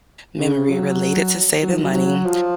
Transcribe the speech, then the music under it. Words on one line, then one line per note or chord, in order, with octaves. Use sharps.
memory related to saving money
C#3
F#3
F#3
D#3
F#3
F#3
F3